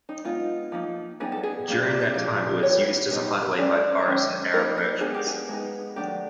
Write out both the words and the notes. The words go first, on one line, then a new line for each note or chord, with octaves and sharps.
During that time it was used as a hideaway by pirates and Arab merchants.
D#4
G#3 B3 D#4 F4
F3 A#3 D#4
G3 B3 D#4 G#4
A4
G#4
G3 A#3 D4
F3 A3 D4
E3 G3 B3 C#5
G3 B3 D#4
G#3 C#4 D5
D#3 G#3 C#4
G3 A#3 D#4 A#4
A#4
G#3 B3 D4 G#4
G4
G#4
G#3 B3 D#4
D#3 F#3 A3 D4 G4